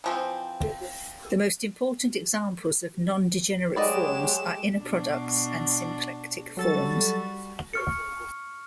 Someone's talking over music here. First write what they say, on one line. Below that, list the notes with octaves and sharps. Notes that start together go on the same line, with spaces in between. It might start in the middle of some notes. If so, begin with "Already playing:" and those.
The most important examples of nondegenerate forms are inner products and symplectic forms.
E3 F3 C4
F#3 G#3 G4 B4 D5 D#5 E7
B2 D4
F#3 G3 F#4 A4 A6
C#6 F6 C#7